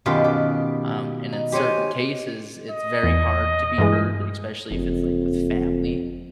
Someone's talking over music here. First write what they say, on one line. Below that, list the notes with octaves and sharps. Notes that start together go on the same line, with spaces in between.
um, and in certain cases, it's very hard to be heard, especially if it's, like, with family,
F#2 B2 D#3 F4 G4
G4
D#4
G4 C5 C#5 D#5 G#5
D#5
E2
G2 E3 G#3
F#1 F2